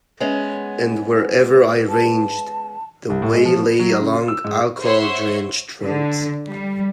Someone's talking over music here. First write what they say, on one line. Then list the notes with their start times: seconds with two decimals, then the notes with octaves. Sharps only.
And wherever I ranged, the way lay along alcohol-drenched roads.
0.20 G#3 B3 C#4
1.89 A5
3.10 C2
3.22 A2
3.33 G#3
3.45 F3
3.62 B3
3.79 F#3
4.00 C#3
4.14 F4
4.28 E6
4.44 G#2
4.81 C5 C#5 E5 F#5 C6
5.81 D3
6.47 G3